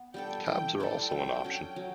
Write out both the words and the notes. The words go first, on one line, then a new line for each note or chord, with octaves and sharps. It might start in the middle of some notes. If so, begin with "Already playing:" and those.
Cabs are also an option.
Already playing: B3
G3 D4 A4 G5
E3 G5
G3 D4 A4 G5
F#3
C#4 F#4
F#3